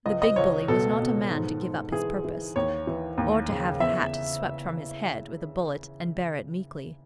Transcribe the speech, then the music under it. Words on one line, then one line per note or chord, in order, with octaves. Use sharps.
The big bully was not a man to give up his purpose, or to have the hat swept from his head with a bullet and bear it meekly.
C#2 D#5
D#5
C#2 C#5
B2 A4
B2
G#2
G#2
E3 G#4
E3
D#2 C#5
E3
D#2
C#3
E2 E5